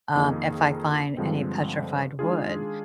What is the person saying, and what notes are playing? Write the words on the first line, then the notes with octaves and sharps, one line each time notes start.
um, if I find any petrified wood.
F2 D#3 A#3 D#4 G#4
G2 D3 F3 G#3 C4
D#3 G#3 D4 F4 G#4